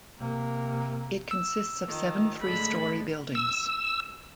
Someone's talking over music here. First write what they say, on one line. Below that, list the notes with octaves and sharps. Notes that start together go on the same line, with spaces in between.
It consists of seven three-story buildings.
C3 A#3
E6
D#3 F3
A2 D3 G#3 B5
E6